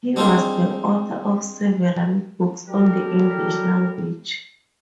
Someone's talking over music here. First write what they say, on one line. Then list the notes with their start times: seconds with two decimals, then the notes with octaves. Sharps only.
He was the author of several books on the English language.
0.16 G3 C4 D4 D#4 F4 G#4
2.68 F#3 G3 E4 G4 A4 A#4